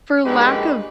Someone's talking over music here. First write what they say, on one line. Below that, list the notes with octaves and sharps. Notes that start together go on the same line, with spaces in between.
for lack of
A#1 G#3 D4 D#4 G4 B4